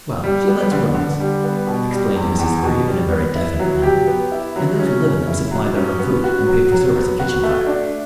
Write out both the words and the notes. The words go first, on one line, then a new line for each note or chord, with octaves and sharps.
"Well, she lets rooms," explained Miss Greeb in a very definite manner, "and those who live in them supply their own food, and pay for service and kitchen fire."
G3
B3
D3
D3
G3
B3
B2
G3
E2
E2
B2
G3
B3
E4
F#3
G4
B3
E4
F#3
C#4
C#3
E4
F#3
C#4
B3
F#4
F#3
F#3
B3
F#4
A3
D4